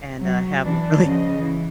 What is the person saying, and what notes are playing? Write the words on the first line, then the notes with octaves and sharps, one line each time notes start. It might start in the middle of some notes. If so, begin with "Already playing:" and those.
and, uh, have a really
F#3
E3 D4
C#3 F3 D#5
E3